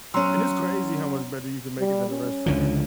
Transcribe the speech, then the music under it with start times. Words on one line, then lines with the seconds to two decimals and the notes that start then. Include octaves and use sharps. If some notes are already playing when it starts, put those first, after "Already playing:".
and it's crazy how much better you can make it than a restaurant
0.14 F#3 C#4 A#5 C6 E6
1.80 G3
2.10 C#4
2.46 C#2 D3 F3